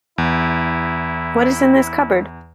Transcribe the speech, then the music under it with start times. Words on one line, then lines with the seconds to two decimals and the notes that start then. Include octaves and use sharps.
What is in this cupboard?
0.18 E2 E4